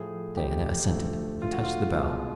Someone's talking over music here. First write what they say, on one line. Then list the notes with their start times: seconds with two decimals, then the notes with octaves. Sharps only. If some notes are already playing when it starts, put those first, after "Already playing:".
Diana assented, and touched the bell.
Already playing: A2 F3 A3 G#4
0.37 G4
0.89 D2 D3 F3 A3
1.42 F4
1.52 F#4
1.64 F4
1.95 C2 B2 G#3